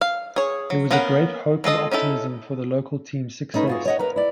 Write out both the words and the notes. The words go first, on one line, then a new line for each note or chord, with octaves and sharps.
There was great hope and optimism for the local teams success.
F5
G#4 C#5
F#3
A#3 B3 C#4 A#4 F#5
G#3 F4 A4 D#5
C#4 D#4 E4 A4
A3 C#4 D#4 B4
F4 F#4 G#4
C#5 D#5 F#5
A#4 B4 A#5
E4 D5